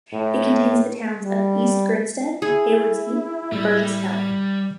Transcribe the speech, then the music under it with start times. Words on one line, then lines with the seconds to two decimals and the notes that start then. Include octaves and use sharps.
It contains the towns of East Grinstead, Haywards Heath and Burgess Hill.
0.12 A2
1.25 G3
2.42 E4 G#4
3.52 A2 G3